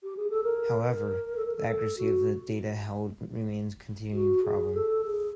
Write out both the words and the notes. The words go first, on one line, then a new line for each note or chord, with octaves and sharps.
However, the accuracy of the data held remains a continuing problem.
G4
G#4
A4
A#4
A#4
A4
A#4
A4
A4
F#4
F#4
G#4
A4
G#4